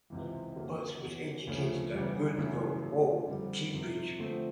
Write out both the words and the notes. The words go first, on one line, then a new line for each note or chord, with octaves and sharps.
Butts was educated at Gonville Hall Cambridge.
C#2 C3 E3
F#2 D3 F#3 A#3 C#4
E2 B2 F#3
D2 C#3 F3 A3 C#4
E2 C#3 E3 G3
F#2 C#3 E3 A3
A#2 F#3 A3
F2 D3 G3 C4
F2 C3 F3
D3 F3 A3 C4